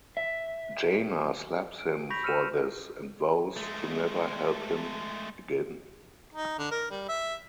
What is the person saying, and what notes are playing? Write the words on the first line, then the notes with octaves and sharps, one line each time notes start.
Jaina slaps him for this and vows to never help him again.
E5
D7
B5 C#6 G6 A#6 B6 F7
E6 F6 A#6 C#7 D#7 E7
G#3 A3
D#4
D3
A#4
G3
E5